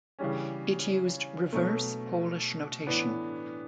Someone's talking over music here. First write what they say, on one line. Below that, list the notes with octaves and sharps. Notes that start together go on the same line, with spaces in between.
It used Reverse Polish Notation.
C#3 E3 G3 C#4
B2 F#3 A3
A2 E3 B3 D4